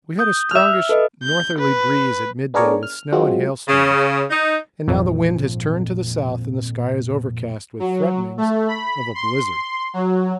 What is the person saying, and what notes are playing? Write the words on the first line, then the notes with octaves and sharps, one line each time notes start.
We had a strongish northerly breeze at midday with snow and hail storms, and now the wind has turned to the south and the sky is overcast with threatenings of a blizzard.
D#6 G6
E5 F6
A4 B4 D#5
G6
B4
B3 D4 G#4 A#4 C#5 D5
F6
F#3 G#3 C4 F4 F#4
C#3
D#4
G#1 F2 A#2
F#3
A3
B5
C6
F#3